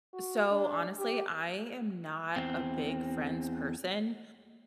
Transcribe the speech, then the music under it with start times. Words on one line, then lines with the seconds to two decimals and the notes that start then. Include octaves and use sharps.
So honestly, I am not a big Friends person.
0.14 F#4
0.51 D4
0.99 G4
2.36 E2 C4